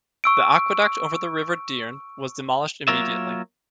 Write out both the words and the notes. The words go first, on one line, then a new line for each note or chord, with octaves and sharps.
The aqueduct over the River Dearne was demolished immediately.
C#6 E6 D7
F#3 A#3 F4 A#4 C#5 E5